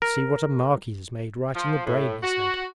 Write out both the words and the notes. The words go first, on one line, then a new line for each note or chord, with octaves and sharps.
'See what a mark he has made right in the brain,' he said.
A#4
F3
A2
F#4